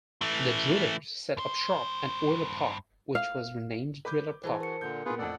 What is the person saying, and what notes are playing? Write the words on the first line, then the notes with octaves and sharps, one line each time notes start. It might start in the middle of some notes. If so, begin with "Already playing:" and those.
The Drillers set up shop at Oiler Park, which was renamed Driller Park.
E3 A3
G2 C5
F5
B4 D6 G6
E3 G#4 C5 A5
F#4 A#4 C#7
A#2 D3 G6
A#2 B3 F4 G#4 B4
A1 F2 A4 D5 F#5